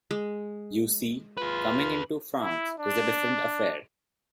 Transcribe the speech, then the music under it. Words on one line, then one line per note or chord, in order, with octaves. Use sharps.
You see, coming into France is a different affair.
G#3
F4 G#4 B4
E4
D4